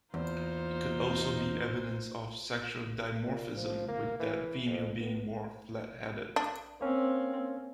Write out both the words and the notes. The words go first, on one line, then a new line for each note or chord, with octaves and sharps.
It could also be evidence of sexual dimorphism with the female being more flat-headed.
E2 A#3 D#4 F4 C5
A#2
F3
A#3
E3
F2
B3
D4
A#3 C4 C#4